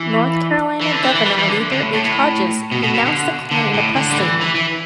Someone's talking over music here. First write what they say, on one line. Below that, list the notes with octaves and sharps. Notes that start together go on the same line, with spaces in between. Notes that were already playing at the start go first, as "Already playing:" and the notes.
North Carolina Governor Luther H. Hodges denounced the Klan in a press statement.
Already playing: E3
E3
D3
E3
E3
G3
E3
D3
D3
A2
A2
A2
B2
B2
B2
D3
D3
A2
D3
G3
E3
E3
E3